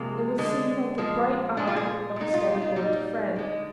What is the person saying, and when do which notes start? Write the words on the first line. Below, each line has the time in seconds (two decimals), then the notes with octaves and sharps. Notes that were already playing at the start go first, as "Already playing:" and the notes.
It would seem like the bright eye of a steady old friend.
Already playing: C3 F3 G#3 A#3
0.38 D3 G#3
0.98 A#2 F3 G#3
1.57 A#2 F3 G#3 D4
1.67 F4
1.76 G#4
2.16 A#2 G#3 D#4
2.34 F4
2.46 G4
2.55 D#4
2.62 F4
2.76 A#2 G3 D#4
3.36 D3 G#3